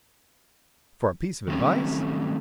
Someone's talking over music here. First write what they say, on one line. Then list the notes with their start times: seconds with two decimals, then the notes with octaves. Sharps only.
For a piece of advice!
1.48 D#3 F#3 G3 A3 C4 C#4